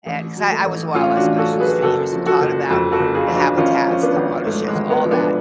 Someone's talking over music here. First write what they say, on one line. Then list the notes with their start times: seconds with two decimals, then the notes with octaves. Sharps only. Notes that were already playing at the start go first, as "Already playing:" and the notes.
and 'cause I I was a wildlife specialist for years and taught about the habitats, the watersheds, all that.
0.06 A1
0.37 F#3
0.51 A3
0.66 A1
0.94 A2 C#4 F4
1.16 D4 F#4
1.24 A1
1.38 F#4 A4
1.53 F#3
1.60 G#4 B4
1.82 F#1 F#4 A4
2.12 F3
2.26 F#4 A4
2.41 F#1
2.70 F2 F#4 A4
2.92 F#4 A4
3.00 F#1
3.14 F4 G#4
3.28 F3
3.36 D4 F#4
3.57 G#1 C#4 F4
3.87 F3 C#4
4.02 B3 D4
4.17 G#1
4.45 G#2 A3
4.68 G#3
4.76 G#1
4.90 G#3 B3
5.05 F3
5.11 B3 D4